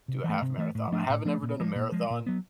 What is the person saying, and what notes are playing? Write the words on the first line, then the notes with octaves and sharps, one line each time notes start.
do a half marathon," I haven't ever done a marathon,
C3
E3 A3
C3
E3 A3
A2
F3 A3 D4
A2
F3 A3 D4
A#2
F3 G#3
A#2
F3 G#3
A#2
F#3 B3